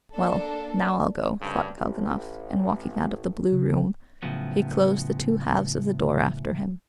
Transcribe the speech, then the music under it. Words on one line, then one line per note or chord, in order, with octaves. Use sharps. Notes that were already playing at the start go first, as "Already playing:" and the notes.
"Well, now I'll go," thought Kalganov, and walking out of the blue room, he closed the two halves of the door after him.
A#3 D4 A4
D2 G2 C#3
A1
C#3
A2 C#3 F3 F#3 B3